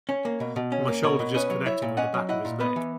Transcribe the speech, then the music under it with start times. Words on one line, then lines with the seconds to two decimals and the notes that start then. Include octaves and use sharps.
My shoulder just connected with the back of his neck.
0.09 C#4
0.25 A#3
0.40 B2
0.56 B2
0.72 C#4
0.88 A#3
1.03 B2 A#4 C#5
1.19 B2
1.34 C#4 B4 D#5
1.50 F#3
1.66 E4 C#5 E5
1.82 A#2
1.97 C#4 D#5 F#5
2.14 F#3
2.29 E4 D#5 F#5
2.45 A#2
2.60 B3 B4 D#5
2.76 E3